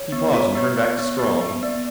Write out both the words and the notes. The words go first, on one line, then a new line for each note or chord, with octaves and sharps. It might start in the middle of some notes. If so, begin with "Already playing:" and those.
He paused and turned back to Strong.
Already playing: C#5
B3
F4
B3
B3
B3
B3
B3
B3 D5